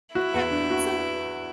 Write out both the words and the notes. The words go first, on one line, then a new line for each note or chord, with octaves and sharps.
Yeah. So
E4 F#4
E2
D4
F#4